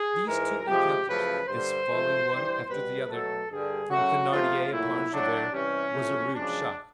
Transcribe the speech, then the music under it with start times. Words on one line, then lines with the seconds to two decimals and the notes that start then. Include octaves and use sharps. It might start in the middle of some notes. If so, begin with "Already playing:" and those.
These two encounters, this falling one after the other, from Thenardier upon Javert, was a rude shock.
Already playing: G#4
0.26 G#2 E3 G#3 A#4
0.66 C3 F3 G#3 G4
1.07 F#2 C#3 F3 A3 B4
1.47 G2 D3 G3 C5
1.88 G#2 F3 A3
2.28 G2 E3 G3
2.69 B2 G3 B4
3.09 B2 F#3 A3 A4
3.50 G2 D3 G3 G#4
3.90 C#3 F#3 A3 F#4
4.31 C3 F3 A3 F4
4.71 A#2 F#3 A3 E4
5.12 A2 F#3 A3 D4
5.52 C3 E3 G3 C#4
5.93 A2 F3 A3
6.33 F#2 C#3 F3 G#3 D4